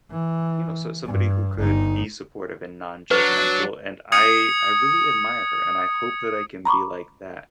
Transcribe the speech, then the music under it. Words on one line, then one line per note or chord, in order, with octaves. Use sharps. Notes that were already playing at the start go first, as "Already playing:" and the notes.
you know, so somebody who could be supportive and nonjudgmental, and I I really admire her, and I hope that I can be like that
E3
G2
G1 D#4
F#3 D4 B4
D#6 G#6 C#7
A#5 B5 C#6 D6